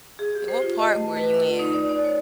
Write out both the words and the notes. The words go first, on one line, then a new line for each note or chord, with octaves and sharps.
What part were you in?
G#4
G4
C5
F4
D#5
A3
B4
F4
D#4
D5
D5
C#5